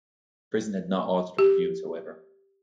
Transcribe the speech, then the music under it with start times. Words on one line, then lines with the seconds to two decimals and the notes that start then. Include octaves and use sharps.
Prison had not altered her views, however.
1.39 G4